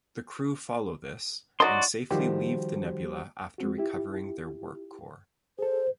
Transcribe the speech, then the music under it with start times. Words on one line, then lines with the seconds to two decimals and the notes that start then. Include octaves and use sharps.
The crew follow this, and safely leave the nebula after recovering their warp core.
1.60 F#3 D#4 F#4 D5 C6
2.11 D#3 F3 G3 F#4 G4 C5
3.58 G#3 C4 F#4
3.78 E4 F4 G4
5.59 G#4 A4 C5